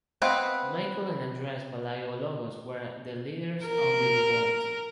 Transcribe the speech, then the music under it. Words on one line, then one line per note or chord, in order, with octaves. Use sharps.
Michael and Andreas Palaiologos were the leaders of the revolt.
B3 C4 B4 D#5 F5
A#4